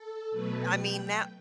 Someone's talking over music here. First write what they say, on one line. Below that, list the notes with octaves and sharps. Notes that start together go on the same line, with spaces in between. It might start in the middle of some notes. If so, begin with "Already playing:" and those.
I mean that
Already playing: A4
B2 F#3 A3 B4
G5